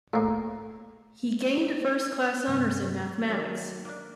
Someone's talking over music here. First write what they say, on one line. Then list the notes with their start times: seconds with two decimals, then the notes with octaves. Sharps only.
He gained a First Class Honours in Mathematics.
0.14 A2 A#3
2.48 G2 C3 B3
3.29 D#3 F#3 A#3 E4 C#5
3.85 A#3 D4